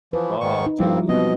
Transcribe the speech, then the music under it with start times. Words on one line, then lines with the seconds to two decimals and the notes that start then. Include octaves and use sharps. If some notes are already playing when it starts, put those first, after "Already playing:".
Oh, dude.
0.13 E3 F3 B4
0.40 G#2 D#3 C#6
0.66 D#4
0.79 G2 F3 G3 A#3 C4 E4
1.09 B2 F#3 B3 C4 D#5